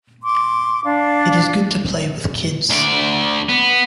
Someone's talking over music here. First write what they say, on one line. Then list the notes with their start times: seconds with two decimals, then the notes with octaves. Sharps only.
It is good to play with kids.
0.25 C6 D6
0.85 D4 F5
2.70 D2 D5
3.49 B3